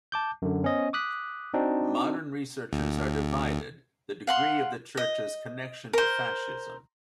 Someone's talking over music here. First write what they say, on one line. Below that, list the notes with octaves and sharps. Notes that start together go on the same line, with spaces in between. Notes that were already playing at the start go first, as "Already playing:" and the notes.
Modern researchers are divided the degree of the Church's connection to fascism.
A5 D6 G6
F#2 D3
B3 C#4 C5 D#5
D6 D#6 F#6 B6
C4 D4 D#4 F#4
D2
F5 F#5 C6
D#5
A#4 C5